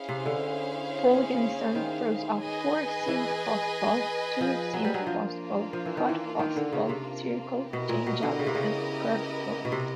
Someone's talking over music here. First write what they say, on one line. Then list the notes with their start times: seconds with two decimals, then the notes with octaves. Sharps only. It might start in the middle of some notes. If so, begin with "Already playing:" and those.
Vogelsong throws a four-seam fastball, two-seam fastball, cut fastball, circle changeup, and curveball.
Already playing: C#4 E4 G#4 C5 F5
0.09 C3
0.26 D3
1.75 D#3
2.41 G#4 B4 D#5 G#5
3.08 E3
4.41 F3
4.73 F#3
4.84 G3
4.94 F#3
5.07 F3 A#3 D4 F4
5.73 F3
5.86 E3
5.97 D#3
6.09 E3
6.39 D#3
6.56 D3
6.73 C#3
6.89 C3
7.72 B2 B3 E4 G4 A#4 D#5
7.89 A#2
8.07 B2
8.23 D3
8.39 C#3
8.47 C3
8.55 C#3
9.65 B2
9.72 C3